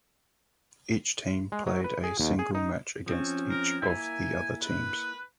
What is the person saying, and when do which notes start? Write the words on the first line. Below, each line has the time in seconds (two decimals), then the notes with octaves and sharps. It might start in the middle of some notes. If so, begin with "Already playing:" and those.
Each team played a single match against each of the other teams.
1.52 G#3
1.67 F#3
1.84 B4
2.04 G#4
2.20 D#2
2.39 G#4
2.55 D#4
3.06 F3 C4 C#4
3.50 A#4
3.82 A#3 E4 G#5
4.62 B4